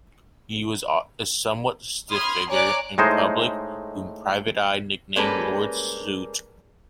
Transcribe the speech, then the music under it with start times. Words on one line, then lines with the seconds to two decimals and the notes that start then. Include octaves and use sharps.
He was a somewhat stiff figure in public whom Private Eye nicknamed 'Lord Suit'.
2.09 B5 C6 D#6 F6 G#6
2.50 C#5 D5 G#5 A#5 D6 F#6
2.98 A2 G#3 D#4 C5
5.16 G3 G#3 A#3 C#4 A4 B4